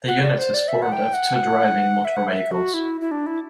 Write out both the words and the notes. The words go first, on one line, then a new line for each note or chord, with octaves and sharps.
The unit is formed of two driving motor vehicles.
F#5
D5
C5
D5
E5
F#5
G5
F#5
E5
F#5
E5
F#4
E4
E4
D4
E4